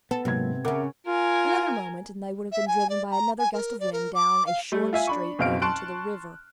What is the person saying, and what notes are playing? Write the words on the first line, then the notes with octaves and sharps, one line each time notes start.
Another moment, and they would have been driven by another gust of wind down a short street leading to the river.
B3 A4
G#2 C3 F#3 A#3 G#6
C#3 C#4 A#4 E5 F#5 D6
F4 A#4 G#5
E5
G#5
D5
A#5
G#5
A#4
D5
A#4
D6
F5
G3 A3
F4 E5 G#5
D4 B5 C#6
F#1 B2 C4 F5 F6 D7
A5 C6 C#6 F#6 D7